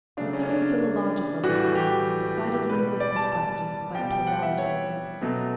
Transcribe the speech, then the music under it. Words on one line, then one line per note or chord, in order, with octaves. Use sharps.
A certain philological society decided linguistic questions by a plurality of votes.
C#3 F#3 A3 D4
C#4
C#4
D4
A2 E3 G3 F#4
G4
G4
B2 G3 B4
D5
A5
A5
B2 G3 G5
G5
F#5
E5
C#5
B2 F#3 A3